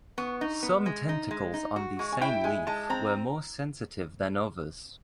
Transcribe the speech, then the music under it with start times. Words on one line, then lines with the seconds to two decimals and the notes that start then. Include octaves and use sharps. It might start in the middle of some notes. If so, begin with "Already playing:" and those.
Some tentacles on the same leaf were more sensitive than others.
0.18 B3 C#6
0.41 D#4
0.63 B3
0.86 G#3
1.09 D#4
1.31 G#3
1.54 D#4
1.76 F#4
1.99 G#3 C#6
2.12 G#5
2.22 E4 G5
2.44 G#3 G#5
2.67 G#3 A5
2.90 C4 A#5